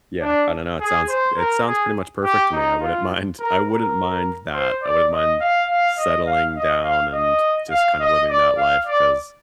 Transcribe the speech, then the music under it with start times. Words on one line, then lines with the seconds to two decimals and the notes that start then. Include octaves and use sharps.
Yeah. I don't know, it sounds it sounds pretty much perfect to me. I wouldn't mind I wouldn't mind that. I wouldn't mind settling down and just kind of living that life 'cause,
0.22 D4
0.80 G#4
1.09 C5
1.37 A#4
1.66 G#4
2.24 G4
2.53 D#4
2.81 F4
3.39 A#4
3.67 A#4
4.54 C5
4.82 D5
5.12 D#5
5.40 F5
5.69 F5
5.98 D#5
6.27 F5
6.56 D#5
6.84 F5
7.13 D#5
7.70 F5
8.00 D#5
8.29 D5
8.57 F5
8.86 D5